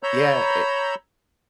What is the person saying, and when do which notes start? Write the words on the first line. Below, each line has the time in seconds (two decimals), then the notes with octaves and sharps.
Yeah, a
0.03 C#5 A#5 B5 E6 G6